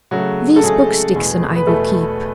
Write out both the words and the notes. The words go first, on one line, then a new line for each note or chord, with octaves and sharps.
'These books, Dixon, I will keep.
C#3 F#3 A3 F#4
A4
C#3 F#3 G#3 A3 G#4
E2 B2 A3
B4
E2 B2 A3 A4